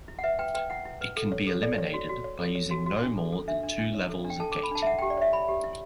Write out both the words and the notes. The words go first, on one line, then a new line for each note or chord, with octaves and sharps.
It can be eliminated by using no more than two levels of gating.
E4
F#5
B4 E5
B4 G5
B4 G5
E4 F#5
E4
B4
A4
C#5
A4
A4 D5
C#5
F#4
F#4
C#5
A4
C#5
F#4
F#4
D4
A4
A4
D4 E5
D4
D4
C#5
A4
D4
G5
A4 A5
D6
A4
B5
D4 A5
E5
E4 F#5
G5
G4
D5
C#5 E5
E4 B5
G4
E4